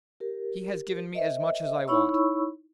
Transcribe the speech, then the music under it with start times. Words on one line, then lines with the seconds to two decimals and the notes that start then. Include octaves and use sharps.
He has given me as much as I want.
0.20 G4 A#4
1.12 A#4 C5 D#5 E5
1.88 D#4 E4 C#5 B5 C#6 E6